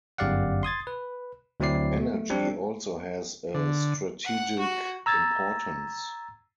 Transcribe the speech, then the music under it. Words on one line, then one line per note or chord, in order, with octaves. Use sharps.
Energy also has a strategic importance.
G1 F#2 G4 D5 F5 F#5
C6 D#6 G#6 A6
B4
D2 F#3 C4 E4 D5 C7
A3
G3 C4 D4
D3
F#5
F#4
A#5 E6 G#6 A6